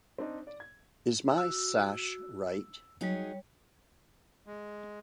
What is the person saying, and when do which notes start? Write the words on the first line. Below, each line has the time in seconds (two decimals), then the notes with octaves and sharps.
Is my sash right?
0.18 C4 D4 D#4
0.47 D5
0.60 G#6
1.38 F#4 E6
3.01 F#3 G3 D#4 G#4 C#5
4.47 G#3